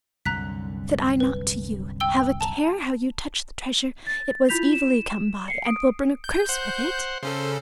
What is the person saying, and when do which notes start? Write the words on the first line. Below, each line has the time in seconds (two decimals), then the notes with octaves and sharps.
Said I not to you, Have a care how you touch the treasure, it was evilly come by and will bring a curse with it?
0.25 C2 F#2 D3 A#5 F#6 B6
1.20 B4
2.00 G5 E6 G7
2.41 A5 A#5
4.07 A6
4.49 E4 F4 B5 G6 B6 F7
4.73 E7
5.48 C7 C#7
5.64 D#6 D7
6.24 G6
6.49 C5 F#5
7.23 C#3 C#4 A4 C5